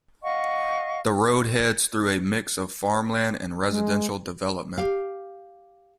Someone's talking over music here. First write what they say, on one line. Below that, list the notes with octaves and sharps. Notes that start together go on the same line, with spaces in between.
The road heads through a mix of farmland and residential development.
D#5 F5 F#5 C#6
G#3
G4 F5